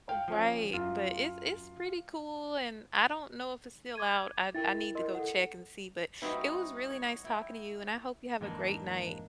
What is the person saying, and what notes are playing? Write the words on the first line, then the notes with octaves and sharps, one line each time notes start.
Oh, right, but it's it's pretty cool, and I don't know if it's still out, I I need to go check and see, but it was really nice talking to you, and I hope you have a great night.
F5 G5
F3 C#4
F#2 F4
D6 G#6 D#7
E4 A#4 G5 A6
A#4 D#5 C6
A4 F#5
G3 C4 D#4 E4 F#4 B4
C#5
E4 G5
F2 G#2 E3 A#3 D4 D#4